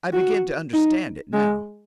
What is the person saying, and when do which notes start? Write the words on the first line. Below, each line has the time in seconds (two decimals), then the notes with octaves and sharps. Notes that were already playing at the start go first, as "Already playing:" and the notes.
"I begin to understand it now."
0.13 F#4
0.73 D#4
1.33 G#3